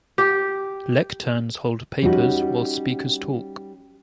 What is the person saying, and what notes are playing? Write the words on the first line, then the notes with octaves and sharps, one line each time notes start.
Lecterns hold papers while speakers talk.
G4
G3 C#4 D#4 F#4